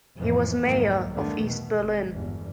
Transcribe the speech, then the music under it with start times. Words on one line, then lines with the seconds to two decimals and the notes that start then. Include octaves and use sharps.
He was Mayor of East Berlin.
0.17 F2 A2 E3 F3
0.62 C2 F2 G#2 D#3 F#3 A#3
1.12 E2 G2 D3 D#3 A3
1.45 G2 B2
1.81 G#1
2.13 G1 E2